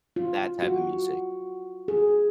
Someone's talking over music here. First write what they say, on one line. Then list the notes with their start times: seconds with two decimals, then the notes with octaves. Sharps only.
that type of music.
0.16 F4
0.62 F#4
1.88 G#4